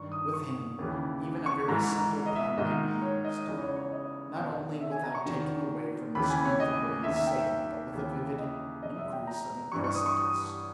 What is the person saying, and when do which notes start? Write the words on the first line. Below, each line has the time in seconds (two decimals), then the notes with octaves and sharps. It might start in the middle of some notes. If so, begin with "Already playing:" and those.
With him even a very simple pun may be used, not only with-out taking away from the strength of what he is saying, but with a vivid increase of impressiveness.
Already playing: G2 D#3 C#6
0.12 D#6
0.34 C#6
0.79 D#2 C#3 E3
1.46 C#6
1.68 G#2 E3 A#5
2.26 D#5
2.36 E5
2.57 G#2 D#3 D#5
3.01 C#5
3.25 D#5
3.47 E2 C#3 E3 D#5
3.61 C#5
3.76 C#5
3.92 D#5
4.36 E2 B2
4.81 E5
4.91 G#5
5.04 A#5
5.15 C#6
5.26 E2 D#3
6.15 D#2 C#3 E3 B5
6.30 G#5
6.45 C#5
6.60 D#5
7.04 D#2 D#3 E5
7.16 E5
7.27 G5
7.38 E5
7.93 D#2 C#3 E3
8.39 D#5
8.83 E2 B2 D#5
8.98 E5
9.13 G5
9.27 A#5
9.72 G2 E3 C#6
9.84 C#6
9.95 D#6
10.06 C#6
10.17 D#6